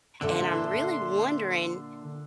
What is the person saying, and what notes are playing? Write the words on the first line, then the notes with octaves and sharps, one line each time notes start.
and I'm really wondering,
A#2 D3 A4 E5 C6